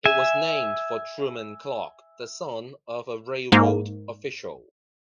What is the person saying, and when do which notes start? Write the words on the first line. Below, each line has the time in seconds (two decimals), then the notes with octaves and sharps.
It was named for Truman Clark, the son of a railroad official.
0.05 E5 G#5
3.52 G#2 A#3